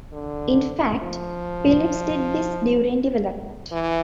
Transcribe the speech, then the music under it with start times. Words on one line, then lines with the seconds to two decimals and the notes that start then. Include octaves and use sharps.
In fact, Philips did this during development.
0.13 D3
1.03 F3
3.72 E3